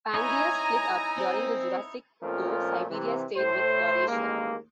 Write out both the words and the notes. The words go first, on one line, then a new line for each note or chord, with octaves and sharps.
Pangaea split up during the Jurassic though Siberia stayed with Laurasia.
D#4 E4 C#5 G#5 A#5
C4
F2 A#2 F3 A3 C#4 A#4
C3 E3
A2 C5
A1 D#2 G#3 A#3